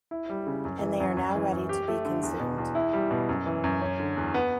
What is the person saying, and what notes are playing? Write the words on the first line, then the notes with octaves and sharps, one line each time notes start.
And they are now ready to be consumed.
E4
G3
C#3
F#2
E3
F#2
F#2
E3
F#2
G4
A3
D3
E2
B2
E2
E4
G3
B2
F#2
E3
F#2
C#4
D3
E2
B3